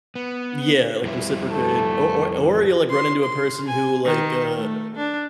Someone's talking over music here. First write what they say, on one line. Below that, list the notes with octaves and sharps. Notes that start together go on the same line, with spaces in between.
Yeah, like reciprocate, or or or you'll, like, run into a person who like, uh,
B3
F2 G3 E4
A3
C6
C6
G#5
D#3
A3
D4